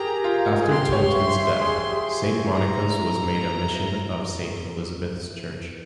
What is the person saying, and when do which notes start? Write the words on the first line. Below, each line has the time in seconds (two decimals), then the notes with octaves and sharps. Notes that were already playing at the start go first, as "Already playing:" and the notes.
After Tolton's death, Saint Monica's was made a mission of Saint Elizabeth's Church.
Already playing: G4 G#4 A#4 A#5
0.24 F4
0.62 G#4
0.70 G4 C6
0.92 C#5
1.15 E5
1.39 E5
1.61 G#4
1.92 G4
2.22 E4
2.52 E4 A#5